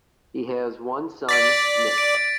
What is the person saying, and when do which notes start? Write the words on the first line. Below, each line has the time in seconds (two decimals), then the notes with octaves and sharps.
He has one son Nick.
1.29 D5 A6 B6 D7
1.98 D7